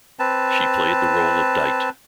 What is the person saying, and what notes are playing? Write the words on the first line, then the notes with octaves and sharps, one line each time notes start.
She played the role of Dite.
C4 B4 A5